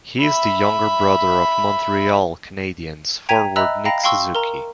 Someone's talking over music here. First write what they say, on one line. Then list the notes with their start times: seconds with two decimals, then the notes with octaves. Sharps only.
He is the younger brother of Montreal Canadiens forward Nick Suzuki.
0.22 E5 B5
3.29 G5 A#5 G#6 B6 D#7 F7
3.56 D#5 E5 A#5 B5 E6 F#6
3.85 F5 G5 A#5 B5 A#6
4.04 F5 G5 C6 C#6 E6
4.35 A#4 A#5